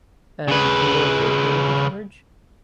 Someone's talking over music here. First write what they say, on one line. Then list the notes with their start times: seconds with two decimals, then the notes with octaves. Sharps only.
And who are they going to charge?
0.48 C#3 B4